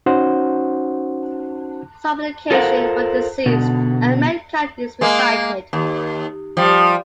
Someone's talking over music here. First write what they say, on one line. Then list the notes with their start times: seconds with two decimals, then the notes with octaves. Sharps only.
Supplication for the deceased and mankind is recited.
0.06 C#4 D#4 F#4 C5 F#5
2.51 F4 A4 A#4 C5 F5 F#5
3.46 B2 D3
5.01 G#3 A#3
5.73 D#2
6.57 F3 G3